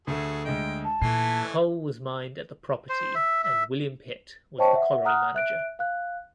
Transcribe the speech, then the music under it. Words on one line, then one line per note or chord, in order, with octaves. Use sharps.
Coal was mined at the property and William Pitt was the colliery manager.
D2 A3 F#4 G#4 A4
D2 G#3 D#5 G5
A5
A#2 E3 A3 G#5 C7
C5
E5
E5
C5 C#5 D#5 G5 A5 C#6
E5 F#5
F#5 A#5 D#6 F6 F#6
E5 F#6 D7
F5 F#6